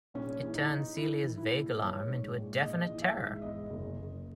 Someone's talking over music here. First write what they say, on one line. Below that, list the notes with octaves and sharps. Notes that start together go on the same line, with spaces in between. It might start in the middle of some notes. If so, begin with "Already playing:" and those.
It turned Celia's vague alarm into a definite terror.
A#1 C#4
E3
D#4
E3
E3 E4
E3
E4
A#1
A#1 C#5
G#2
A#1
A#1 D#5
E3
E5
G#2
E2 D#5
F#1
F#1